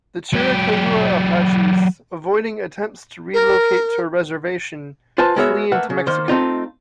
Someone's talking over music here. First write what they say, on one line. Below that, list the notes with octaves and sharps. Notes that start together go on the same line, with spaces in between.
The Chiricahua Apaches, avoiding attempts to relocate to a reservation, flee into Mexico.
F#3 G4
A#4
F4 B4 C5 G#5 A5
G#3 B3 F#4 A#4 C#5 E5
A3 A#3 B4 E5 F#5
C#3
D#3 A#3 C5
A3 C4 D#4 F4